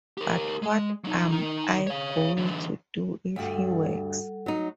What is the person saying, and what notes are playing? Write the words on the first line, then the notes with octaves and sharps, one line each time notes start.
But what am I going to do if he works?
G4 A#4
G#3
F#3 D#4
D#3 D#4
C#5 F5
D3 E3
D2 G2 G3 A4 F#5
F#3 D#4